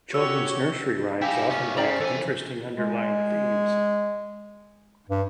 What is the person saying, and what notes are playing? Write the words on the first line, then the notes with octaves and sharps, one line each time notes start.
Children's nursery rhymes often have interesting underlying themes.
F#4 G4 C#5 E6
D#4 E4 G4 F5 G#5 D6
B3 C#4
C#3 G4 C5 D5 A#5
E3 A4 G#5 A6
G#3
G2